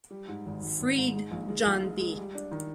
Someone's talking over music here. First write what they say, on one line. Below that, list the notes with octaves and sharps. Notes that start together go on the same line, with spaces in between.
Freed, John B.
G3
G#2
G#1
G#1
G#1
G#2
G#3
A#1
G#3
A#1
G#3
G#3
G3
D4
D#3